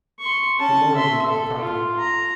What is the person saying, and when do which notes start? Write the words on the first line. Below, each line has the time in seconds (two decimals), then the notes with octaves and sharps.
The Origin of Property.
0.20 C6 C#6
0.59 C#4 A5
0.96 E5 C6
1.29 A4
1.58 F4
1.99 A#5